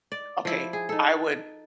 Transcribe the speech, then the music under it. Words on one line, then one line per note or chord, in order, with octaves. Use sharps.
okay, I would
D5
F3 E4
G#4
D#4 A4